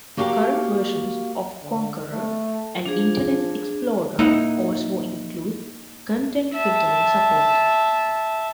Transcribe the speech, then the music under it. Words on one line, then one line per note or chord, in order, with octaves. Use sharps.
Current versions of Konqueror and Internet Explorer also include content filtering support.
A#3 F#4 G4 F5 A5 A#5
D3
A3
F3 D4 G#4
A#3 D#4 E4 F#5
E5 A5